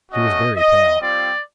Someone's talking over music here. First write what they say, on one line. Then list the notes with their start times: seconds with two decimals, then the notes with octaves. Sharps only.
He was very pale.
0.11 A3 C#4 F#4 D#5
0.56 D#5
1.00 G3 C4 F4 D5